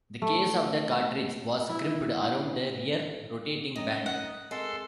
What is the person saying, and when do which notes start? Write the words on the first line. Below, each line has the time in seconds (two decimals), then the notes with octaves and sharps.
The case of the cartridge was crimped around the rear rotating band.
0.22 A3
1.69 E4
3.76 D#3 A3 C#4 D#5 A#5
4.06 F#5
4.51 G#3 C4 A4 A#4 C6